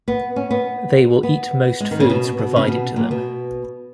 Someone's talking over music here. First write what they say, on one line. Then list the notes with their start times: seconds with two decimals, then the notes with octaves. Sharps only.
They will eat most foods provided to them.
0.08 B3
0.36 C#4
0.51 B3
1.23 B3
1.80 G#3
1.91 D#3
2.00 C#3
2.10 B2
2.38 B2
2.56 C#3
2.68 B2
2.96 A#2
3.11 B2